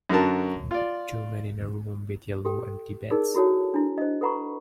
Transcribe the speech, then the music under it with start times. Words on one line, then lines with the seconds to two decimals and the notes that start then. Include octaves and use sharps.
Two men in a room with yellow empty beds.
0.09 F#2 D3 F#4 A#4 A5
0.71 F4 D5
2.45 G4 A4 G5
3.11 D#4 G#4 A#4 D5 E6
3.35 E4 F#4 A4 C#5 A5
3.74 D4 E4
3.98 C5 D#5
4.21 A4 B4 F#5 A#5 B5 C#6